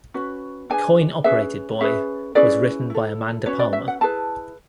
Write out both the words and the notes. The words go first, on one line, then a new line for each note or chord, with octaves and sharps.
"Coin-Operated Boy" was written by Amanda Palmer.
C#4 F#4 B4
D4 G#4 B4 G#5
C#4 G#4 B4 E5
C#4 G#4 B4 E5
C#4 E4 G#4 B4 D5
E4 A4
C#4 F#4 B4 C#5
D5
E5
F#5
E4 G#4 B4 A5